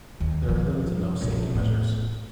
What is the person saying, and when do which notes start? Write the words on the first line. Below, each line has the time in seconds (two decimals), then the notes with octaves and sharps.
There are little to no safety measures.
0.20 D#2
0.49 F3
1.21 A#1
1.55 A2